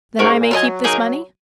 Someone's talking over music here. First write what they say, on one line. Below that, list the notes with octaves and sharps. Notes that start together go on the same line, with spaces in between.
"Then I may keep this money?"
G#2 A#3 C#4 F#4 A#4
G#2
A#2
F#3 F4 A#4 D#5 G#5
A#3 D#4 G#4 D#5